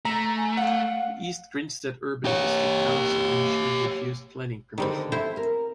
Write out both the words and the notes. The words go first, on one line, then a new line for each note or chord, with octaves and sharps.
The East Grinstead Urban District Council initially refused planning permission.
A3 A#5
G#5
F5 F#5
G4 C#5
D3 D#3 G3 C4 G5
C4 E4 A4 C5 E5
A#4